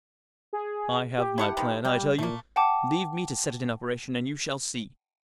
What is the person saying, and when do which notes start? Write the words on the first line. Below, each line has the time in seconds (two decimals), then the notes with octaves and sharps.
"I have my plan, I tell you; leave me to set it in operation, and you shall see."
0.53 G#4
1.18 G4
1.38 E4 A4 F#5
1.57 D#3 F3 B3
1.85 G3 A#3 G5
2.18 A#2 A3 A#3
2.56 F#5 G5 A5 D6